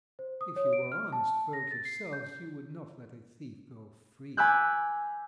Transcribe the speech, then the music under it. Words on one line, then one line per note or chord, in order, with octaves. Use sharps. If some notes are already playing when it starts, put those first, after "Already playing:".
"If you were honest folk yourselves, you would not let a thief go free."
C5
D#6
C#5
D7
F6
A5
A#6
A6
C7
G6
G#5 B5 D6 E6 F#6 G6